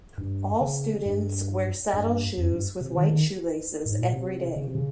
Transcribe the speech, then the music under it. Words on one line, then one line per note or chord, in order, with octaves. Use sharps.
All students wear saddle shoes with white shoelaces every day.
G2
C#3
G2
G2
F2
G2
C3
D#3
D#3
G#2
A#2
C3
C#3
C3
C#3